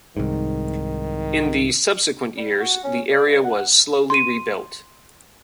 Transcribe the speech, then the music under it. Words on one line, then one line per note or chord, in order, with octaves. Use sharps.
In the subsequent years, the area was slowly rebuilt.
C2 G#2 D#3
G3
F#4
C#4
D5
G2
F#5
C6 D#7